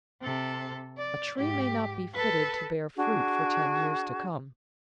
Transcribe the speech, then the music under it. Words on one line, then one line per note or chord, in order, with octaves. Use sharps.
A tree may not be fitted to bear fruit for ten years to come.
C3 A4
D5
G#2 G4
A4 B4
D4 F#4 G#4